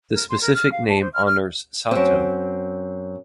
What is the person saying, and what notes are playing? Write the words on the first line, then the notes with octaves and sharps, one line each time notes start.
The specific name honours Sato.
A#4
C6
A#4
F6
F5
A5
C5
F6
F6
F#2 C4